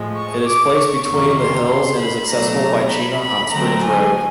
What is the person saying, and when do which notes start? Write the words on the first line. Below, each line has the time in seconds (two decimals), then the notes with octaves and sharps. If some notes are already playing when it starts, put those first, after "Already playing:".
It is placed between the hills and is accessible by Chena Hot Springs Road.
Already playing: A2 F3 G#3
0.16 C#6
0.46 D6
0.77 C#6
1.07 F2 C3 D#3 G3 A#3 C#6
1.38 C6
1.68 C6
1.99 B5
2.29 B2 F#3 A3 D4 A#5
2.61 A#5
2.91 B5
3.21 B5
3.52 D3 F#3 A3 C4 A#5
3.83 G#5